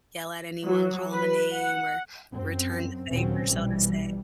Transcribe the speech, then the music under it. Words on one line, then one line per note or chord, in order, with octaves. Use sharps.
yell at anyone, call 'em, a name, or return the favor, so to say.
F#3
B4
F#5
F#2 C4
D#2 A#2 C#3 F#3 C4 C#4
A#1 B2 E3 G3